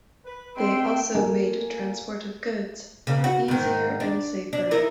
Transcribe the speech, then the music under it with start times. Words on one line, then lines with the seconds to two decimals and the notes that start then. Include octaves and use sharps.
They also made transport of goods far easier and safer.
0.25 B4
0.57 G#3 C4 E5 G5 C6
1.15 A#3 A4 A#4 G#5
3.07 C#3
3.24 F#4
3.48 G#2 D#3
4.00 D4
4.53 D4
4.71 D#4 E4 A#4